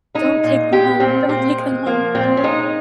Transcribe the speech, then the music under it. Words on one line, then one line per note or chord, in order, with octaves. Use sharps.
"Don't take them home, don't take them home."
G#3 D#4
A#2
G#3 G4
A#2 C4
A#2 C4
G#3
F3 A#3
A#2 C4
C#4
G#3 D#4